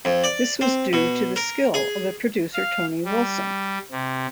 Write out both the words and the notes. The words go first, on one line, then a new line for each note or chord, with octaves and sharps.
This was due to the skill of the producer Tony Wilson.
F2
D5
C4
B2
A#4
G#4
F5
G3
C3